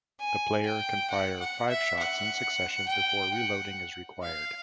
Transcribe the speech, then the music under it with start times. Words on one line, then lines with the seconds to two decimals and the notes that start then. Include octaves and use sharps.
The player can fire five shots in succession before reloading is required.
0.20 G#5
0.65 G5
1.10 F#5
1.40 F#5
1.69 E5
1.99 F#5
2.88 G5
3.34 F#5
4.22 F5